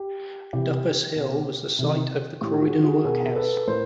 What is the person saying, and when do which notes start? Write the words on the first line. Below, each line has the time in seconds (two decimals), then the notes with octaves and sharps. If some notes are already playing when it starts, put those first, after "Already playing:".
Duppas Hill was the site of the Croydon workhouse.
Already playing: G4
0.53 C3 E3 G4
1.16 B2
1.79 C3 D#3
2.41 A2 E3 G4
2.62 F#4 G#4
2.84 F#4 G#4
3.04 B2 G#4 A#4
3.36 A4 B4
3.68 A2 A#4 C5